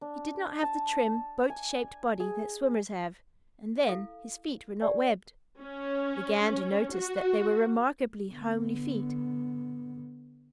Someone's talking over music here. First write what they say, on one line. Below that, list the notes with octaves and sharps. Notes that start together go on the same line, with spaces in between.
He did not have the trim, boat-shaped body that swimmers have, and then, his feet were not webbed. The Gander noticed that they were remarkably homely feet.
D4
A5
G#5
G#4
E4 A4 F5
G4 D5 G#5
C#4
F#4
D3 B3